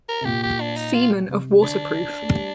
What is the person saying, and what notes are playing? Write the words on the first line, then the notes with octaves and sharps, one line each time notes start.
Seaman of Waterproof.
A#4
C3
A#2 G4
G4
D4
D#4
F4
C3
D3 D4
A3
G3